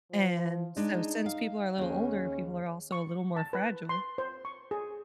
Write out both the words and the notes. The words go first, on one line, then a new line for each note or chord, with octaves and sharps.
And so since people are a little older, people are also a little more fragile,
F3
G#3 D4 D#4
F5
D#2 C#4 G#4
C#6
A5
B4
C6
C5
C#6
G#4